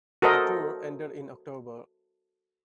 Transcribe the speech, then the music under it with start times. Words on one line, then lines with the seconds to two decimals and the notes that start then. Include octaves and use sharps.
The tour ended in October.
0.22 F#4 A4 A#4 C5 D#5